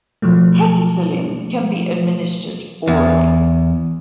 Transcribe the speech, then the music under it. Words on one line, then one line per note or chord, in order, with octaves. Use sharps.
Hetacillin can be administered orally.
B2 F3 F#3 A3
E2